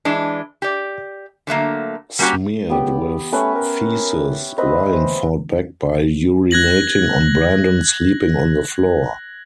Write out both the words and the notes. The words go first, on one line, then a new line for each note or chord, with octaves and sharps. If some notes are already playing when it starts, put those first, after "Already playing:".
Smeared with feces, Ryan fought back by urinating on Brandon sleeping on the floor.
E3 G#3 D4
G4 D5
D3 F#3 A3 A#3
G3 A#3 C#4 E4 F#4 G4
C#2 B3 G4
A3 C#4 B4 E5
A#4
C4 B4 D#5 E5
C5
F#6 G#6 A#6 F#7